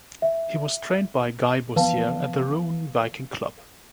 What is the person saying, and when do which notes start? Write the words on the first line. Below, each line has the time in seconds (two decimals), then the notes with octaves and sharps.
He was trained by Guy Boissière at the Rouen Viking Club.
0.22 E5
1.76 E3 F3 B3 B4 F5 A5